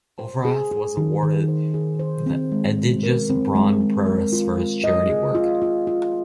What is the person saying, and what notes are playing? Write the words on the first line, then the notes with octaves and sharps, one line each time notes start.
Overath was awarded the Egidius-Braun-Preis for his charity work.
C5
G#4
G#4
D#3
D#3
C5
G#4
C5
C4
G#3
G#3
A#4
C4
G#3
G#3
A#4
F4
F4
D#5
G#4
F4
F4
F4